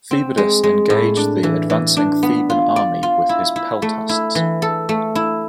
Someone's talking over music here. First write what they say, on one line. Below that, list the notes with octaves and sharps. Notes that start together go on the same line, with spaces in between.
Phoebidas engaged the advancing Theban army with his peltasts.
C4
G#3
G#3
A2
D4
E3
E3
D4
B3
F4
D5
F4
E4
E4
A3
E4
E3
A4
A3
E4